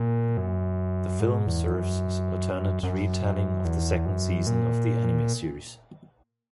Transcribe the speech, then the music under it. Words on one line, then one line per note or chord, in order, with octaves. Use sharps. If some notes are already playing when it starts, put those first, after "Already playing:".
The film serves as alternate retelling of the second season of the anime series.
Already playing: A#2
F#2
G#2
E2
F#2
F#2
E2
F#2
A#2